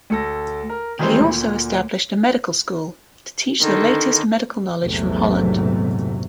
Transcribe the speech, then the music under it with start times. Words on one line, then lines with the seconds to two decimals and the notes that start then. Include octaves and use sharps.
He also established a medical school to teach the latest medical knowledge from Holland.
0.10 D2 A4 A#6
0.69 A#4
0.99 D#3 E3 G3 G#3 C4
1.19 D2 A#2
3.61 D3 D#3
4.80 A#1 E2 G#2 C3 F#3 A3